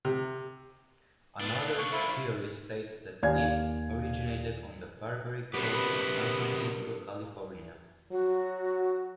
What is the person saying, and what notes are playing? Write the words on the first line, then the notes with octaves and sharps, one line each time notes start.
Another theory states that it originated on the Barbary Coast, San Francisco, California.
C3
B3 D4 F4
C#6
C5 E5 B5
D#2 D5 F5 G#5 G#6
F#2 C3 B3 G4 A#4 B4
F#3 F#4